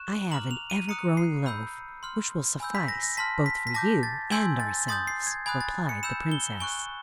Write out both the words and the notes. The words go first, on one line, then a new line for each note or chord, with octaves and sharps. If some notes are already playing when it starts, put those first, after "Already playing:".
"I have an ever-growing loaf, which will suffice both for you and ourselves," replied the princess.
Already playing: C#6 F#6 E7
A#5 D6 F6 F#7
F7
D#7
A#5 D#6 F#6 C#7
C7
B5 E6 G6
C6 F6
G#5 B5 E6 G6
B6
A#6
A#6
A5 C6 F6 B6
B6
B6
A5 D6 G6 A#6
A6
G#5 C6 E6 G6 G#6
A6
C6 D#6 G6 A6
C7
G#6
G#5 B5 D#6 F#6 G#6
A6
C#7
B5 E6 G6 E7
G7
G#5 C#6 F#6 G7